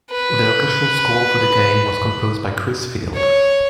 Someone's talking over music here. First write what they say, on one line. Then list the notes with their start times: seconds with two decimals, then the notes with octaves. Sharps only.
The orchestral score for the game was composed by Chris Field.
0.11 B4
3.15 C#5